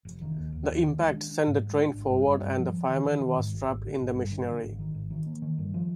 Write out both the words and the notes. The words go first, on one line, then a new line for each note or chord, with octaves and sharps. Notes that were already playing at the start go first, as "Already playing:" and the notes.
The impact sent the train forward and the fireman was trapped in the machinery.
F1
D#3
D#2
D#2
D#2
D#3
G#3
D4
D4
G#2
G#3
D4
G#1
G2
G2
G2
F3
F3
D#3
D#3
D#3
G#2
G#1
G#1
D3
G#1
G2
D3
D3
G#1
D#3
G#1
D#3
A#3
D#3
G2
F3